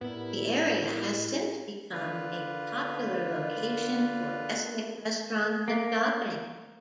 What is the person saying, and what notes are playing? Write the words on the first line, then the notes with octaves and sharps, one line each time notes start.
The area has since become a popular location for ethnic restaurants and shopping.
A2 G3 B3 E4 A#4 E5
D3 F4 B4
A#3